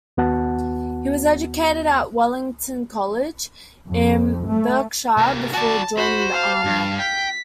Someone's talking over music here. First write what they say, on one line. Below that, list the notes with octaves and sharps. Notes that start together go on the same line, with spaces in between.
He was educated at Wellington College in Berkshire before joining the Army.
D#2 B3 F#4 F#5 A5
F2
A3
C3 A#3
F#4 D5 A5
F#4 C5 B5
F5 A5
G2
G5 B6